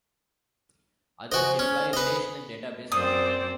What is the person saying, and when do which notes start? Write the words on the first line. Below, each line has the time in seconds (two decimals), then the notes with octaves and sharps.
Others employ relational database software.
1.32 F#4 C5 D#5 G#5
1.59 C#4
1.93 B4 D#5
2.92 F#2 C4 C5 D5 D#6